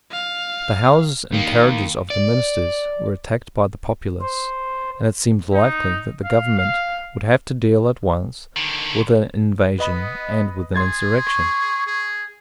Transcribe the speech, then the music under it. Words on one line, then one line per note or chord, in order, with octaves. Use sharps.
The houses and carriages of the ministers were attacked by the populace; and it seemed likely that the government would have to deal at once with an invasion and with an insurrection.
F5
D#3 A#3
D5
C5
D#4
F5
F5
D3 D#3
B3 B4 D#5 B5
G#4 C6 G#6 A6
C#6
G#4